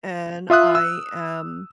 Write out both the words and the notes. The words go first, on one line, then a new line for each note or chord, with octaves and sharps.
and I am
F4 E5 D#6 F#6
E6